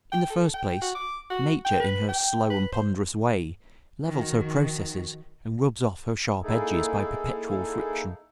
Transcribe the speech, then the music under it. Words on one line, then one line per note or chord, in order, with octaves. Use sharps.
In the first place nature in her slow and ponderous way levels her processes and rubs off her sharp edges by perpetual friction.
G5
A4
G5
F#4
D6
F#4
G5
B4
G5
B4
C5
D#3 F3 F#4
A#3 D#4 E4 G#4 A4